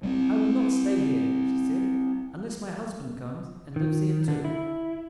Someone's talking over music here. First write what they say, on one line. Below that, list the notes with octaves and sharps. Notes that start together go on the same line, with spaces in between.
"I will not stay here," she said, "unless my husband comes and lives here too."
G3 A#3 C4
D#3
D3
E4